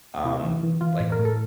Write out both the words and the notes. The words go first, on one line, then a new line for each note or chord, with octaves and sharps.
um, like,
C3 E4
E3
E3
E3 F4
A2
A#4
A2
A4